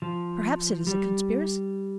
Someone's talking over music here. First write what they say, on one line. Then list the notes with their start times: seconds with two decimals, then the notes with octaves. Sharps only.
Perhaps it is a conspiracy.
0.02 F3
0.87 G3